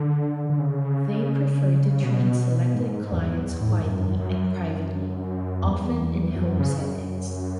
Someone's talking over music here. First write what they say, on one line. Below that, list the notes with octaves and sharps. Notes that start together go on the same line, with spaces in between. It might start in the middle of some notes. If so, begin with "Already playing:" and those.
They prefer to treat selected clients quietly and privately, often in home settings.
Already playing: D3
D3
C#3
B2
G#2
E2
E2
A2
G#2
F#2
F#2
E2
F#2
C#3
F#2